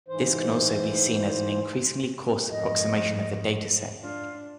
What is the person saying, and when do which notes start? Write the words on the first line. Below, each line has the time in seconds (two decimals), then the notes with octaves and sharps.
This can also be seen as an increasingly coarse approximation of the data set.
0.08 G#2 E3 C5
2.50 F2 G#2 D#5
4.00 D4 F4